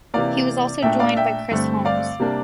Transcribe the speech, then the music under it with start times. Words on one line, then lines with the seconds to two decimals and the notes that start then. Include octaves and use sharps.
He was also joined by Chris Holmes.
0.14 C3 E3 A#3 D5 F5
0.82 A#2 A3 D4 E5 G5
0.99 D5 F5
1.17 E5 G5
1.51 G2 D3 A3 C4
1.85 D5 F5
2.19 C3 G3 A#3 D4